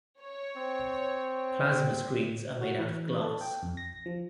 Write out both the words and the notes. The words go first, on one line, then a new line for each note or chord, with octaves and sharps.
Plasma screens are made out of glass.
C#5
C4
F#4
E3
A4
G5
F2
A#6
F3